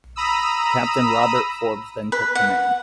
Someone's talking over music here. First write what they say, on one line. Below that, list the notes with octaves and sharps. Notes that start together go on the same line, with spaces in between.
Captain Robert Forbes then took command.
A#5 B5 D#6 E6
B4
F#5